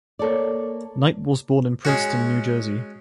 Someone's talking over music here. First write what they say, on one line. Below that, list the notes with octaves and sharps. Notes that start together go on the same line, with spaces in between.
Knight was born in Princeton, New Jersey.
A#3 A4 C#5 D5
G#3 C#4 F#4